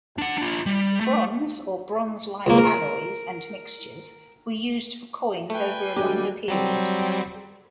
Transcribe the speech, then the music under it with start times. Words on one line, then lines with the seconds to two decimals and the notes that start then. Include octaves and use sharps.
Bronze, or bronze-like alloys and mixtures, were used for coins over a longer period.
0.18 D4 F#5
0.38 D4 F4
0.66 G3
1.00 A3
2.46 C#2 A#3
2.58 A#4
5.50 A3 B4 G5 G#5
5.97 D#2 D3 F#3 G3 G4
6.48 F#3 G3 C4